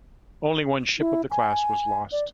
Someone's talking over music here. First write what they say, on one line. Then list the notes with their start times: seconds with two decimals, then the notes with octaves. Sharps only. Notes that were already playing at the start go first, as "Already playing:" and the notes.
Only one ship of the class was lost.
0.99 E4
1.31 G#5
2.12 D5